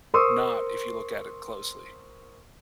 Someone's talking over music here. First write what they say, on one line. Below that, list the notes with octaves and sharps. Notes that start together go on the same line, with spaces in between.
not if you look at it closely.
A#4 C5 C6 C#6 D#6 E6